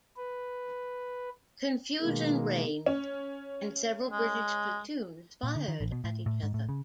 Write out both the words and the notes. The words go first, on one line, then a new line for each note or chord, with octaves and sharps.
Confusion reigned, and several British platoons fired at each other.
B4
B2 D#3 G#3 A#3
C#4
G#3
A#2
D3
D#3
A1
B2
A2
A2
G#2
A2
C#3